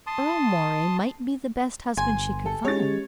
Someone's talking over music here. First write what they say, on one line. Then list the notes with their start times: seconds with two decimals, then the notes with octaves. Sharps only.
Earle Moray might be the best husband she could find.
0.07 A5 C6 D#6
1.97 G1 G#5 C6
2.46 A4
2.65 G#3 C#4 G4 C#5 A6